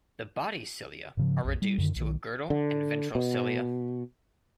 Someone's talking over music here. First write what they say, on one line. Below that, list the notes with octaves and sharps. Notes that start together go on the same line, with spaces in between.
The body cilia are reduced to a girdle and ventral cilia.
G#2 C#3 F3
A#1 F2
G3
F#2 D3 D#3
B1 D#3
D3
B2